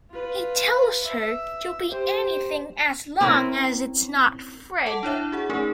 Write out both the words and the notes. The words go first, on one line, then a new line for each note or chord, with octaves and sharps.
He tells her to be anything as long as it's not Fred.
F4 B4
E5
G4 C5
C4 C#4 E4 A#4
A4 D#5 F#5 A5
D4 E4 C#5 E5
F#4 G#4 F#5
A3 C#4 D#4 G#4 A#4